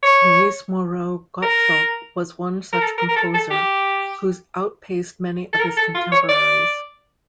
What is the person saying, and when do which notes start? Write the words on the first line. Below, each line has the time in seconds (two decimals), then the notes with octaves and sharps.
Louis Moreau Gottschalk was one such composer who outpaced many of his contemporaries.
0.03 C#5
1.43 A#4
2.73 A#4
2.82 A4
2.98 A#4
3.09 A#4
3.16 A4
3.34 A4
3.51 G4
5.53 A4
5.60 A#4
5.77 A4
5.95 F4
6.12 C#5
6.29 D5